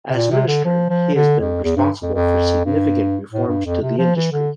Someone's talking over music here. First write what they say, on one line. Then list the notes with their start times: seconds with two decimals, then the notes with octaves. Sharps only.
As Minister he has been responsible for significant reforms to the industry.
0.10 C3
0.14 A#2
0.31 C3
0.48 D3
0.65 F3
0.89 F3
1.15 D3
1.40 F2
1.64 E2
1.77 G2
2.02 F2
2.15 F2
2.65 G2
3.32 A2
3.48 G2
3.66 F2
3.82 C3
3.98 F3
4.16 E3
4.32 D3